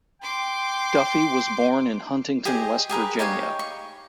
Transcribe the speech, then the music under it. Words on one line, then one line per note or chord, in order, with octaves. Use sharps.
Duffey was born in Huntington, West Virginia.
G5 C6 D6
G4 G#4 C5 D#5
G4 G#4 A#4 B4
D#4 G4 C#5 F5
C#6